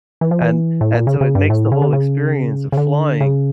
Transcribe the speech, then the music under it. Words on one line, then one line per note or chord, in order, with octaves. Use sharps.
and and so it makes the whole experience of flying
E3
F3
E3
A2
A#2
C#3
C#3
G2
A2
C#3
D3
C#3
C#3
D3
C#3